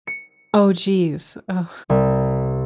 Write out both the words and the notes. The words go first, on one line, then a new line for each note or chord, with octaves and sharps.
Oh, jeez. Oh,
C#7
C2